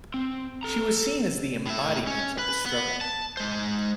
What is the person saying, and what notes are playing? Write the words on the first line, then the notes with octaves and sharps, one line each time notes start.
She was seen as the embodiment of the struggle.
C4
A4 A#5
A2 E5
C#4
B4
B3
A5
G#3 C5